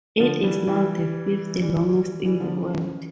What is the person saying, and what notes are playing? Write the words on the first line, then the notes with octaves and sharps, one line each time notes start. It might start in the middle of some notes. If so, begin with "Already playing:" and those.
It is now the fifth longest in the world.
D3 F3
E3 G3
E3 G3
E3 G3
E3 G3
D3 F3
C#3 E3